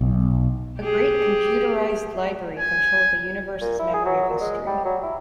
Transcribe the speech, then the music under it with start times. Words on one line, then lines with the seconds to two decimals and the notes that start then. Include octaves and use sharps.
A great computerized library controlled the universe's memory of history.
0.01 B1
0.80 G4 G#4
2.59 G#5
3.61 A#2
3.79 E4
3.94 G#4
4.05 F#3
4.29 A#2
4.41 G#3
4.67 G3
4.85 F#3
5.03 E4